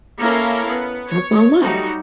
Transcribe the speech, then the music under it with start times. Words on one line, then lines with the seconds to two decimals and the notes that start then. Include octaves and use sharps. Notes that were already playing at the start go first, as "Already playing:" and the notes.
I have my own life."
0.20 A#3 C#4 E4 A4 A#4 F5
0.69 B3
1.10 C#5
1.63 F#3 G3 A3 D#4 F#4 G4